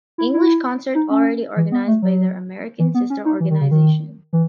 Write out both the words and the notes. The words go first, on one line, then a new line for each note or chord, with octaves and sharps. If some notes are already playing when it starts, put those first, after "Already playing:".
English concert already organised by their American sister organisation.
E4
E4
D#4
C#4
E3
B3
A3
F#3
E3
B3
C#4
D#4
E3
D#3
C#3
D#3
E3